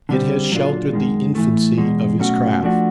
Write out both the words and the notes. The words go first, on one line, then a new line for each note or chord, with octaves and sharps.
It has sheltered the infancy of his craft.
D3 G3 C4
A#2 F#3 A#3 D4 F4
F#2 D#3 G#3
A2 E3 A3
E2 B2 G#3
B2 F#3 A3 C#4 F#4
F3 A3 D4 F#4